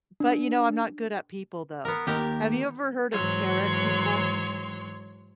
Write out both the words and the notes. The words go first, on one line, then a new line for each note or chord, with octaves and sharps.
but you know, I'm not good at people, though. Have you ever heard of carrot people?
D4
B3 A#4
D#2 G4 A#4
G#2 E3 F#3 C#5 C6